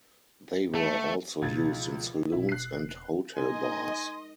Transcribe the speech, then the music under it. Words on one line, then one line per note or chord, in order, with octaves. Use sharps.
They were also used in saloons and hotel bars.
A3
C#2 B2 F3 G#6 A6
E1 B2 E4
F#6 C7
G#3 D#4 A#4 D#5 G#5 C6